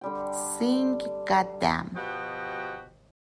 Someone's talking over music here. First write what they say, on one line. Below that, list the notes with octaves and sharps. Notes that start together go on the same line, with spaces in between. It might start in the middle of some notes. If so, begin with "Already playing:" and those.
Sing: Goddamm.
D3 G3 G5
B2 F3 F#4 G4 D#5 G5